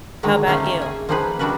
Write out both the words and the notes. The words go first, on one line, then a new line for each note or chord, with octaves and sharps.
How about you?
D3 D#3 F#3 G#3 G#4
A3 A#3 C4 C#4 D#4
E5
G#4 G#5
F3 A#3 C4 D#4 G#4 B4
C#3 G3 D4 F#4 A#4 B4